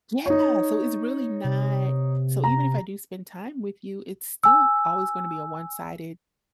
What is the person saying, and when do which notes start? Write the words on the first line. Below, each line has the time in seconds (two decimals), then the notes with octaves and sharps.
Yeah, so it's really not so even if I do spend time with you, it's still always gonna be a one-sided
0.26 D#4 C#5
1.44 C3
2.44 A#5
4.44 G#5 E6